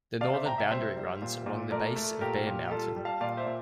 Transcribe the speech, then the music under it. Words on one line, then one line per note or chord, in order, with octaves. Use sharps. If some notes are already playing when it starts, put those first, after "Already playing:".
The northern boundary runs along the base of Bear Mountain.
C3 D5 F5
C5 E5
C3 G5 A#5
E5 G5
G3 C5 E5
G3
A#2
A#2
A3 A#4 D5
A3
A#2 G4 A#4
A#2
G3 F4 A4
G3
F5 A5
A#2 D5 F5
C5 E5
A#2